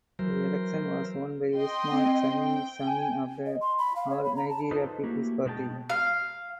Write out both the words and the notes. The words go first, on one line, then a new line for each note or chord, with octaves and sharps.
The election was won by Usman Sanni Sami of the All Nigeria Peoples Party.
E3 F#3 A#4 C5
D#5 G5 C6
C4
G5
G#5
D#5
C6
B5
F5
C#5
B5
A#5
A5
D#4 F4 A4 B4 C5
A3 A#3 E4 F#4 G4
B2 G#3 A#3 E4 G5 A5
F5